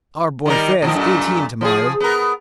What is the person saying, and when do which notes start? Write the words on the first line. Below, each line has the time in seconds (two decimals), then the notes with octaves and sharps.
Our boy Fred is eighteen to-morrow.
0.46 D#3 G3 A#4
0.82 A2 D#3 F3
0.94 F#2 A#2 A3
1.61 F3 G#4
2.00 B3 A#4